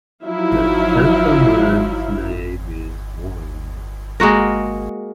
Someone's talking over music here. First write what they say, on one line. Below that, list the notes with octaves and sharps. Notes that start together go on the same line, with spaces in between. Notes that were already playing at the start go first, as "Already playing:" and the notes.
The gentleman's name is Wong.
F3 F#3 D#4 E4 E5 F5
G#3 A#3 F#4 A#4